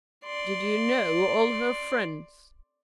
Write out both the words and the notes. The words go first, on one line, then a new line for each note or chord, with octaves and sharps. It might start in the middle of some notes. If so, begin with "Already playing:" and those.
"Did you know all her friends?"
D5 C6